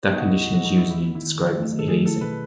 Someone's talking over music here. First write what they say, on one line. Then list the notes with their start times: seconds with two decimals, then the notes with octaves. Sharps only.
That condition is usually described as "aliasing".
0.09 B3 D#4
0.17 F#4
0.25 E2 E4
0.41 B2 F#4
0.54 F#4
0.58 G#3
0.66 D#4
0.74 B3 E4
0.91 A3 E4
1.07 D#3
1.15 E4
1.23 D#3
1.40 F#3
1.55 A3
1.73 D#3
1.79 A4
1.88 A3 G#4
2.06 E4 A4
2.21 B2 B4